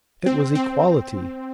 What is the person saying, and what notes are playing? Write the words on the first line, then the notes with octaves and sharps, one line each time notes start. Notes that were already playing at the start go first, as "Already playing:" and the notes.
It was equality.
C4
C4